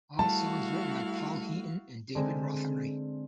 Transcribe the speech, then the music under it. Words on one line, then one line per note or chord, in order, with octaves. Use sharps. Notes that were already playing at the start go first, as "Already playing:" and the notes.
All songs written by Paul Heaton and David Rotheray.
G3 A3 E4 F#4 F5 A5
D3 G#3 C4